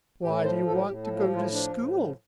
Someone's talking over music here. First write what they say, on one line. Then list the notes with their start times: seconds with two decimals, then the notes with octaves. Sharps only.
Why do you want to go to school?
0.23 A2 G4
0.45 F3 C5
0.66 A2 A4
0.87 A2 G4
1.04 A4
1.09 F3
1.20 G4
1.30 A2
1.36 F4
1.52 F3 D4
1.74 A2
1.95 F3